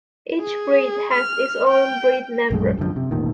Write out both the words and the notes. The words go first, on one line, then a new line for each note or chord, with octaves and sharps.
Each breed has its own breed number.
G#4
F6
G5
A#1 F#2 G#3
F#2 D3 D#3 F3
C3
E1 A1 A#2 D#3